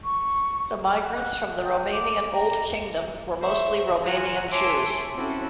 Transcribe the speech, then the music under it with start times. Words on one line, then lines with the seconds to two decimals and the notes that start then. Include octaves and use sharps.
The migrants from the Romanian Old Kingdom were mostly Romanian Jews.
0.05 C#6
1.03 F#5
1.64 G5
1.93 D6
2.34 A#5
3.41 C5 E5 C#6
4.04 F4 F#4 F#5 G#5 A#5
4.49 C#5 E5 G#5 A5 C6 D6
5.13 C4 C#4 E4 F#4 A4